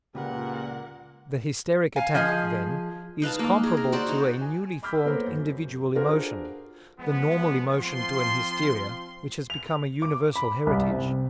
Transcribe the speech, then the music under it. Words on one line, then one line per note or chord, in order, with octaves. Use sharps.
The hysteric attack, then, is comparable to a newly formed individual emotion, the normal emotion to an hysteria which has become a universal heritage.
C#2 A#2 C#3 G4 A#4 B4 F#5
F5 G#5
F3 G#4 D#5
D#4 B4 F5 A5
A#3
G#4
A#4
F#4 C5 D5
D#4
G#5
B5 D6 E6 F6 G6 B6
A#3 B3 A#4 C5 C#5
F#2
D4 F4 F#4 G#4 A#4 C5
F3 G#3 B3
F3 C4 F4 C6
F7
D6
B5
C2
C3